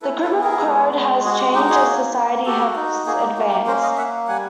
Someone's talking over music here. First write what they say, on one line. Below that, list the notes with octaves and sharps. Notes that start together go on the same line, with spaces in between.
The criminal code has changed as society has advanced.
E4 A4 B4
A4 B4
B3
G#4 A#4
G#3
G#3
F#4 G#4
G4
D#4 G4
F#4 G#4
A#3
A#3
F#4 G4 A4
D#4
A#3 F#4 G#4
G4
A#3 F#4
G4
C#4 A#4 C5
D#5 F5
A#3 E5 F#5
G3 F#5 G#5